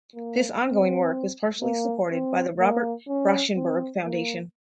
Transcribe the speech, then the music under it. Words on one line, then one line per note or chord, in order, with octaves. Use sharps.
This ongoing work was partially supported by the Robert Rauschenberg Foundation.
A#3
C4
A#3
C4
A#3
C#4
C4
A#3